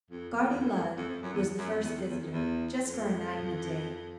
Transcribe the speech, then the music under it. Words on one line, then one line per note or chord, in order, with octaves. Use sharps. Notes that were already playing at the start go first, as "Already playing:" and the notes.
"Guardy Lud" was the first visitor, just for a night and a day.
F2
F2
E2
F2
F2
F2
F2
F#2
E2
F#2
F2
E2
F2
E2
F2
E2
F2